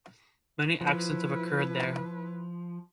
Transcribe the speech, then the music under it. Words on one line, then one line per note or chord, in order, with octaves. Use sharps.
Many accidents have occurred there.
F3 E4 B4